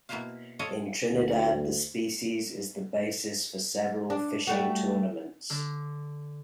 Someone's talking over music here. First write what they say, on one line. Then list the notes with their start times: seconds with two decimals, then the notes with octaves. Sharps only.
In Trinidad, the species is the basis for several fishing tournaments.
0.09 B2 A#3 E4 F4 C5 F5
0.59 F4 A4 C#5 D#5 F5
1.12 D2
4.10 D4
4.47 G3 A3 F#4
5.50 D3